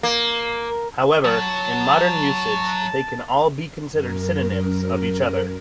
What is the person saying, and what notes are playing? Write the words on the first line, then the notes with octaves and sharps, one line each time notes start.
However, in modern usage, they can all be considered synonyms of each other.
A#3
F#3 A5
F#2 A#4